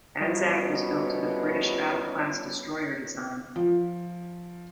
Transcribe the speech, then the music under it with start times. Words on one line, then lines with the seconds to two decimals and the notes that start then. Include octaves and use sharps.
"Anzac" was built to the British Battle class destroyer design.
0.20 C2 B2 G3 B3 C#4 F4 D5
3.56 F3